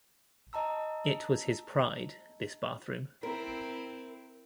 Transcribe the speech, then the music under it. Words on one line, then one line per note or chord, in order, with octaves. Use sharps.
It was his pride, this bathroom.
D#5 A5 A#5 E6
C4 E4 A#4